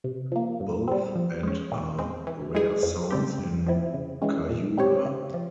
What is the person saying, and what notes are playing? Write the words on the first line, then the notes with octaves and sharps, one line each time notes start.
Both and are rare sounds in Cayuga.
C3
F3 A#3
G2
G3 C4
F3
G#3 C#4
A#2
G#3 C4
E3
G#3 E4 G#4
F2
C#3 G3 C4 G4
G2
F3 C4 E4
C#3
E3 G#3 C#4
A#2
G3 C4 G4 C#5
C#3
F3